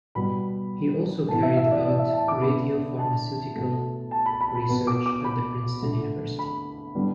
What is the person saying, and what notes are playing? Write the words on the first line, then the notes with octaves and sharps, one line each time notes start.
He also carried out radiopharmaceutical research at Princeton University.
B2 G3 B3 B5
A2 E3 B3 A5
E5
E5
D5
D5
E5
A5
D6
D3 B3 B5
A5
B2 A3
A5
B5
B5
B5
B2 B3
D6
D6
B5
D3 A3
B5
D3 G3 B3